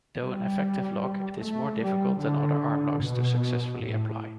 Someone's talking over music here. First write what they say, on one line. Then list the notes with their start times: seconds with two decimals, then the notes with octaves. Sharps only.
Though an effective lock, it is more difficult than other armlocks to successfully apply.
0.21 G3
1.40 A3
1.82 G3
2.21 D3
3.02 B2
3.82 A2